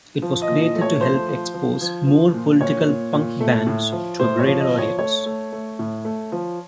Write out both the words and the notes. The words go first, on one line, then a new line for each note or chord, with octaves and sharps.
It was created to help expose more political punk bands to a greater audience.
F3
D#5
A#2
D#5
A3
C#5
F3 C5
F3
F3
F3
F3
A#2
A#2 C#5
A#2
A#2
A3
A2
F3
A2 C5
C#5
F3
D#5
F3
C#5
A3 C#5
A3
A3
A2
A3
F3